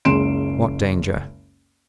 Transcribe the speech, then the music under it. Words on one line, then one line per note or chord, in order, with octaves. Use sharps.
"What danger?"
F#1 C#2 C#4 C6 D7 E7